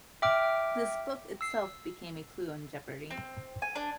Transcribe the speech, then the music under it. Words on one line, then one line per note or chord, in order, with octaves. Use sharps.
This book itself became a clue on Jeopardy!
E5 G5 D6 F6
E6 C7
C4
G#5
D4